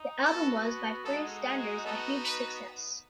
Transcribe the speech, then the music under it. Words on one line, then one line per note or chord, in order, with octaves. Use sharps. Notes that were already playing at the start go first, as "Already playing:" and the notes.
The album was, by Free's standards, a huge success.
Already playing: D#4
B3 F#4 A4
G#3 D#4 F#4 A4
G#4
B3 D#4 F#4 A4
B4